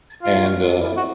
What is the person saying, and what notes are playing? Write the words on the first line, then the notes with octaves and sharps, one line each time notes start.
And, uh
F4
F#4
F4
E4
F#4